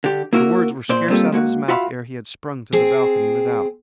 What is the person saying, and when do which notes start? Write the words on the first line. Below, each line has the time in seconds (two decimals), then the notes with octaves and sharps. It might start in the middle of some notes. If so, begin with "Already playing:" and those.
The words were scarce out of his mouth ere he had sprung to the balcony without.
0.04 D3 G4
0.33 A#3 E4 F#4 A#4
0.89 A#2 C5 D5
1.10 G3 A#3 C4 F4 G4 A4
1.32 G#3 A#3 F#4
1.68 F4 F#4 E5 F5 B5
2.73 C4 G#4